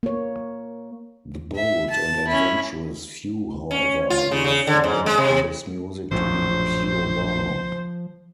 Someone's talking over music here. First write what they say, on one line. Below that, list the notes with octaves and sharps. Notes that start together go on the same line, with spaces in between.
The bold and adventurous few however, will find this music to be pure balm.
A#3 C#5
E5
A5
C#4 E4
C#4
F4
C#3
C#3
D3
G#2
G#3
C3
A#1 F#2 A2 F3 C5